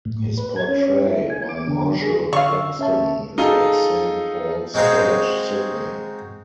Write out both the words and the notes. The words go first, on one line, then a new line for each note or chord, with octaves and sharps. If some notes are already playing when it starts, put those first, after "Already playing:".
His portrait, by Marshall Claxton, is at Saint Paul's College, Sydney.
A2
B4
G#6
C#4
E4
G#5
D6
D3
G#4
D3 F5 C#6 E6
C#4 E5 A5
D#4 F4 G#4 A4
G#3 C4 D#4 F#4 G#4 F5